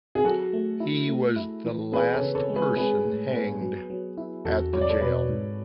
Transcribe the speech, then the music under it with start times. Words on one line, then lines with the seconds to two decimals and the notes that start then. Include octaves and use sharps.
He was the last person hanged at the jail.
0.15 G#4
0.24 F#3 F#4 A4
0.53 A3
0.80 E4
1.09 A3
1.36 E4
1.65 E3
1.92 B3 G#4 B4
2.14 A4 C#5
2.21 C#3
2.35 A4 C#5
2.49 G#3
2.56 G#4 B4
2.76 G#3 G#4 B4
3.05 A2
3.34 B3
3.61 F#3
3.90 F#3
4.18 E4
4.45 E2 F#4 A4
4.73 F#3 C#5
4.81 D5
4.89 A4 C#5
5.01 B2 B4 D5
5.29 G#2